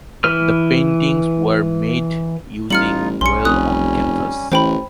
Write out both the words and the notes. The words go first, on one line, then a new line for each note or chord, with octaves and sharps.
The paintings were made using oil on canvas.
E3 B4 F6
A1 G3 D#4 F4 F6 C#7 F#7
B1 G3 C#4 C6 C#7
F1 D#6 F#6
A1 E3 C5 G5 B5